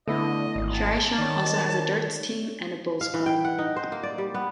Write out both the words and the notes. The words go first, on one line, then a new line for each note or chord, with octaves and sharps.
Syresham also has a darts team and a bowls club.
D3 A3 B3 E4 D#5
G#1
A5
D#3 C#5 D5
F5
E3
G5
F#5
D#4
C5
A#3
D5
G3
B3